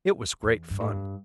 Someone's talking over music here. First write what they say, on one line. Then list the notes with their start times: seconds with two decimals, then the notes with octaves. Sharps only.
It was great fun.
0.43 E2
0.70 G2
0.80 A2
0.89 G2